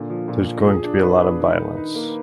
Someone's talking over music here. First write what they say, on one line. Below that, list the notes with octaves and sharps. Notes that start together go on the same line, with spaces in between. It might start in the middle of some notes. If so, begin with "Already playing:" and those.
There's going to be a lot of violence.
Already playing: A#2 D3
F3
A#2
F3
G#4
D4
B4
B4
D#3
D#4
D#4
A#3